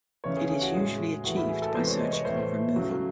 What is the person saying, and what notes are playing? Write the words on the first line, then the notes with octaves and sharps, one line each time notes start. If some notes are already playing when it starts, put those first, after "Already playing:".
It is usually achieved by surgical removal.
C#3 E3 A3 C#5
G#4
G#4
F#4
A2 G#3 G#4
A2 E3 A3 F#4
E4
G#4
A4
C3 E3 G#3 C5
C#5
D#5
C#5
A2 E3 A3 C5
C#3 F#3 A3